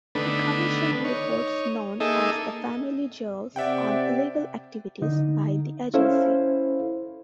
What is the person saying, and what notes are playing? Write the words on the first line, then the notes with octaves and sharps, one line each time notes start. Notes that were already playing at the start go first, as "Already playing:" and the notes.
He commissioned reports-known as the "Family Jewels"-on illegal activities by the Agency.
D3 D#3 A3 B3 D4 B4
D#4 C#5
A#3 D#4 G#4 A4 D#5 E5
C3 D5 E5 F#5 G5
D3 D#4
C#4 E4 A4 C5 F5